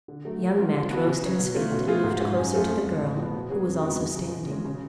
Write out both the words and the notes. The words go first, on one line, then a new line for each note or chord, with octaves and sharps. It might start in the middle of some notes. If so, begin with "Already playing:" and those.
Young Matt rose to his feet and moved closer to the girl, who was also standing.
D3
F#3 A3
F3
G#3 C#4 F4
F3
B3 F#4
C#3
F#3 C#4
B2
A3 C#4 F4
B2
A3 F4 G#4
G#2
G#3 C#4 F4
F#2
F3 A3 F4 G#4
F2
F3 G#3
A2
F3 B3
B2
F#3 C#4 G#4
F2
D3 G#3 B3 F#4
F#2
C#3 F#3
B2
G#3 C#4
C#3